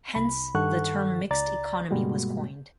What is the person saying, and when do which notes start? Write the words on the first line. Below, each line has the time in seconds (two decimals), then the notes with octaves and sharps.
Hence, the term "mixed economy" was coined.
0.15 C2 B5
0.55 G2 D#3 A4 F#5 C#6 F#6
1.31 C#2 D5 A#5 A6
1.91 G2 B2 G3 G#3 A#3 F#4